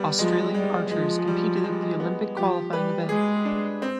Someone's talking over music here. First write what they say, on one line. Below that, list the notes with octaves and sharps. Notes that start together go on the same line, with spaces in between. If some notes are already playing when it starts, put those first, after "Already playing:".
Australian archers competed at the Olympic qualifying event.
Already playing: G3 B3
F3 G#3
G3 G#3
F3 G#3
G#3
G3
G#3
G3
G#3
B3
F3 G4
G3 B4
G#3 G#4
D4
C4